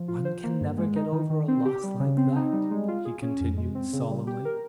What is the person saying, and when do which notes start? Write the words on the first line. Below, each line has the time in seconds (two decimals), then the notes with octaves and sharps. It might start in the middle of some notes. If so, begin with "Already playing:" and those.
"One can never get over a loss like that," he continued solemnly.
Already playing: F3
0.08 F4
0.25 C5
0.43 A#3
0.61 G2
0.77 G#3
0.96 D#4
1.12 D#3
1.30 D#3
1.48 C4
1.65 G4
1.83 G3
2.00 C#3
2.17 C4
2.36 D#4
2.53 G3
2.71 G#3
2.88 F4
3.05 G#4
3.22 C#4
3.40 F2
3.57 G#3
3.75 C4
3.93 C#3
4.10 G3
4.27 G4
4.45 A#4